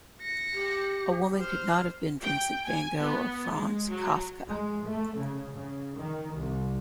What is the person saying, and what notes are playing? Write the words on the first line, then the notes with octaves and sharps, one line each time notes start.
A woman could not have been Vincent van Gogh or Franz Kafka.
A#6 C#7
G4
C5 F6
G5
G#5
B3
G#3
F#3
G#3
A3
C#3
C#3
D#3
C2